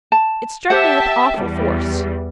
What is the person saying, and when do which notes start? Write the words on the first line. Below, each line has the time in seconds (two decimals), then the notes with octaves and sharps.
It struck me with awful force.
0.12 A5
0.70 G4 C5 E5 F#5 G5 A5
1.37 E2 G3